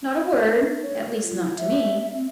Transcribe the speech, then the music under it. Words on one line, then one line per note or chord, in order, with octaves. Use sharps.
"Not a word--at least not to me."
D4
C#5
A4
F4
E4
E5
C4